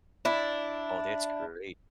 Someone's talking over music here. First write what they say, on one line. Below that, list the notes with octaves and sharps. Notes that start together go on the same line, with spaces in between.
Oh, that's great.
D4 E4